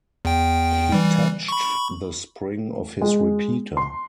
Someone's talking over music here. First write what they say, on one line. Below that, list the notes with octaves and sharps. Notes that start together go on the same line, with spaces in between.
He touched the spring of his repeater.
E2 G5
E3 G3
B5 C#6
G#3
C6